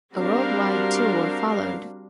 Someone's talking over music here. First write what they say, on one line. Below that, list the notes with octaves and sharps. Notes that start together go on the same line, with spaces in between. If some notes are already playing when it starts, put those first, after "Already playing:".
A worldwide tour followed.
G3 C4 D4 F#4 A#4 F5